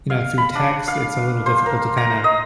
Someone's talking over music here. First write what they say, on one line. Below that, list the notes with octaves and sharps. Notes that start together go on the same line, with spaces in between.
you know, through text, it's a little difficult to kinda,
F5
B5
D4
F5
C5
A#4
A#5
D#5